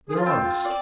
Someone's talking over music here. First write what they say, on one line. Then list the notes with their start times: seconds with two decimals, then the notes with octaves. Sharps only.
They're honest.
0.09 G#4
0.14 F4
0.26 C4
0.40 F4
0.65 D5